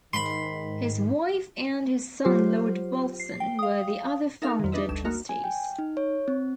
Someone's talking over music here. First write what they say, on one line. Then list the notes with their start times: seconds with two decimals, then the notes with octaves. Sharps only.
His wife and his son Lord Wolfson, were the other Founder Trustees.
0.13 G#2 D#3 B5 C6
2.25 F#3 F4 G4 C5
3.20 C7
3.40 G5
3.59 F5 D#6
4.42 D#4 A4 A#4 E5 F5
4.60 F2 D#3
4.72 D4 D#4 B4 D#5 E5
4.89 G1 D2 E7
5.05 A#3 D#4 F#4 A#4
5.29 G#5
5.44 G5
5.79 D#4
5.97 C#5
6.28 C4